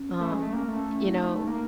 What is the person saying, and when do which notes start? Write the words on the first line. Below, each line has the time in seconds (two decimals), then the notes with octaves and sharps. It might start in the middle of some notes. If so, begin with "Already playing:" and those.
um, you know,
Already playing: C#4
0.20 A3
0.31 G#3
0.42 A3
0.53 A#3
0.68 A3
1.05 E4
1.15 D#4
1.47 A#3